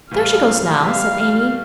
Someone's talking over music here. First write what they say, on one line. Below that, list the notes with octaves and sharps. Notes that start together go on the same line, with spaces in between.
"There she goes now," said Amy.
A2 E3 G3 F5
A2 E3 G3 F5